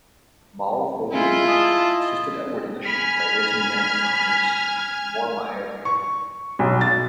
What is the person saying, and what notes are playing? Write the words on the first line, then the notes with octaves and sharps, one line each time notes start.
Maol Choluim assisted Edward initially by raising men from his Mormaerdom.
G#3 E4 F4
D#5 A5
G#5 B5 F6 G#6
C#6
B1
A6